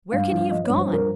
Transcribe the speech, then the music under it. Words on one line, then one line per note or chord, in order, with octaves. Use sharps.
Where can he have gone?
G2 F5
F3 F5
F3 D#5
C#5
G2
C5
F3 A#4